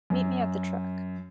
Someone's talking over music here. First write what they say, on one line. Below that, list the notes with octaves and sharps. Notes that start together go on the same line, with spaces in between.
Meet me at the truck.
F#2